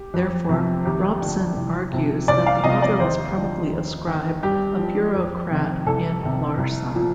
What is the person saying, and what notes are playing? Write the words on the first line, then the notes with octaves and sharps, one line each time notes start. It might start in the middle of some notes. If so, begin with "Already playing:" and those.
Therefore, Robson argues that the author was probably a scribe, a bureaucrat in Larsa.
Already playing: G4
F2
C3 F3
D#2 G4
D3 F3
C2
C3 F3
C2 D5
F5
C3 F3 D#5
D5
D#2 C5
D3 F3
D#2
D#3
G2 G4
F3
F2
C3 D#3
C2 A4
C3 D#3
C2
A#2 F3